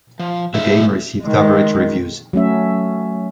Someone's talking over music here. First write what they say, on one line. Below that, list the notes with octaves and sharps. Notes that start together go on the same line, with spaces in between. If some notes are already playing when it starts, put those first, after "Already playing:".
The game received average reviews.
F3
A2 D#4 E5
D#3 G#3
F#3 A3 C#4 E5